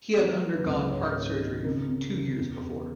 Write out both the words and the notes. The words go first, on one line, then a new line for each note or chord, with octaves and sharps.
He had undergone heart surgery two years before.
F#3
A#3
B4
C#2
G#2 C#5
A#3
D#3
C#3 A#4
C#3
C#4
E2
E2